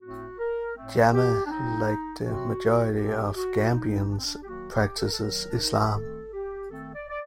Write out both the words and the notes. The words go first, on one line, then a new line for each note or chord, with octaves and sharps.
Jammeh, like the majority of Gambians, practices Islam.
A2 A3 C4 F#4
A#4
A2 A3 C4
G4
D4
C3 F#3 C4 D#4
C3 F#3 C4 F#4
A#2 G3 C4 G4
F#4
A#2 G3 C4 D#4
D4
C4
D4
G4
D#3 F#3 A#3 F#4
G4
A4
A#4
A4
D#3 F#3 A#3 A#4
D4
D#4
F#4
G4
D#3 A3 C4 A4
G4
D#3 A3 C4 A4
D5
D5